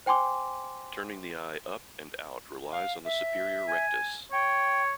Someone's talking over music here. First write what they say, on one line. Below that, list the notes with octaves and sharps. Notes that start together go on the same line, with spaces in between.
Turning the eye up and out relies on the superior rectus.
C5 G5 G#5 C6 D6
F5
E5
G#5
C#5 G5